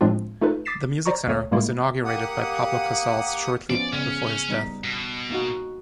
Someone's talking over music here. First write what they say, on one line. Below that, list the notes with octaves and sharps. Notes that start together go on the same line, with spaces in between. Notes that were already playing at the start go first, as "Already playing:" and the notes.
The music center was inaugurated by Pablo Casals shortly before his death.
A2 F3 G#3 C4 D4 F4
A3 D#4 F4 A4 B4
D6 D#6 A6 B6 C7 E7
C5 D5 A#5 C#6
D2 A3 C#5 D#6
A2 G3 G#3 A#3 E4 F4
A#3 G4 F#5 D#6
F3 B3 C#4 D5
C#3 B3 C#4
G3 B3 D#4
B2
A#3 D#4 F#4